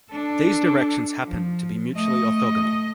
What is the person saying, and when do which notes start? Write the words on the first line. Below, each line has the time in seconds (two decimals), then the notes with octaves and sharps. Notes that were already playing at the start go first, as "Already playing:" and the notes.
These directions happen to be mutually orthogonal.
0.11 D4 A4
1.26 F3
1.94 A3 D#5